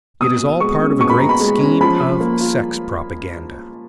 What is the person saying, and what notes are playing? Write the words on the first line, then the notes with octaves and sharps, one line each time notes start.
It is all part of a great scheme of sex propaganda.
B2 D#6
B2
G#3 C#6
C#4
B2 C#6
B5
B2 A#5
B5
G#3
C#4
F3 B5
F3
A#3
F4